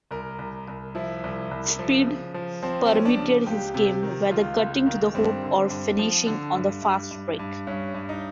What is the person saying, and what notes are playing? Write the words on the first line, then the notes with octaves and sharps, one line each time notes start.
Speed permeated his game, whether cutting to the hoop or finishing on the fast-break.
C2 A#4
C2
C2
F3 E4
C2
C2
F3
C#3
F3
F3 C4
C4
F3
C#4
D4
C#3
C#2 G4
C3
D#3
C#2 F4
C#2
D#3
G2 C4
D3
G2
F3
D3
G2
G2
G2
G2
G2 C#4
G2
D#4